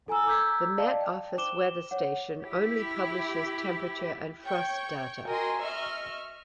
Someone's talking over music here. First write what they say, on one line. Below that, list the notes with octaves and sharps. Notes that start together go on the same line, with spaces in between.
The Met Office weather station only publishes temperature and frost data.
A4 G#5 A#5 E6
A#5 D6 E6 G6 G#6 B6
D5 D#5 F5 A5
G5
C5 D6 E7 G7
C#5 F#5
E4 G4
C#5 G5 C#6
F#4 A#4 D#5 G#5 C6
D#5 E5 C#6 F6